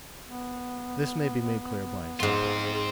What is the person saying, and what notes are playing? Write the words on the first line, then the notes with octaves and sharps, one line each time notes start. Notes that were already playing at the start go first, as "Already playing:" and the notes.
This may be made clear by examples.
B3
G#2 C4 F4 C6